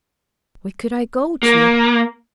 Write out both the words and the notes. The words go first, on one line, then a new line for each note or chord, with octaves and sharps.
'Where could I go to?
A#3